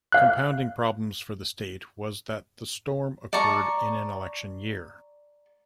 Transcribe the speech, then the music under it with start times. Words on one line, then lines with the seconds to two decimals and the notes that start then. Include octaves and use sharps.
Compounding problems for the state was that the storm occurred in an election year.
0.12 F5 F#6
3.33 D5 A5 A#5 C#6